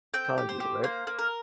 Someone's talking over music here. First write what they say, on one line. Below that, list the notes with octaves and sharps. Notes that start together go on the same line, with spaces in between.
kanji, right?
C4 G5
G4
C5
G4
A#3 C5
A#3
A#4